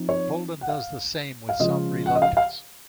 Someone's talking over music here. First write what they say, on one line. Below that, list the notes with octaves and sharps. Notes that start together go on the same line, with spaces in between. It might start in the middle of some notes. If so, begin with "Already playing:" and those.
Holden does the same with some reluctance.
Already playing: F3 C4 D#4
C#5
F#5
F5
F5
C#3 F3 G#3 C#4 F4 D#5
F#5
D#5
F5
F5